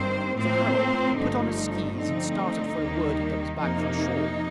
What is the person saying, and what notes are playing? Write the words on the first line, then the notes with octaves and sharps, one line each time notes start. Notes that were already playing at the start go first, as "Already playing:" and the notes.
So Harald put on his skees and started for a wood that was back from shore.
Already playing: G1 G2 D#3 A#3 C4 C5
A2 F3 A#3 C4 C5
G1 G2 D3 F3 A3 D#4
G2 D3 F3 A3 C4 D#4
D#2 D#3 G3 A#3
F2 C3 F3 A#3 D#4